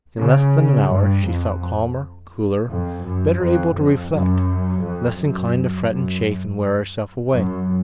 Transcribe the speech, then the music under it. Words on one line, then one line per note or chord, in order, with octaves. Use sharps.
In less than an hour she felt calmer, cooler, better able to reflect--less inclined to fret and chafe and wear herself away.
C#3
G2
F2
F2
F#2
F2
F2
F#2
F2
F#2
F#2
F#2